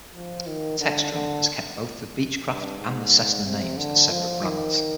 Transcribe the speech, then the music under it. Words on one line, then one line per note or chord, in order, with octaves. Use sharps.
Textron has kept both the Beechcraft and Cessna names as separate brands.
F3
D#3
D3
D3
G2
G#2
C3
D3
F3
D#3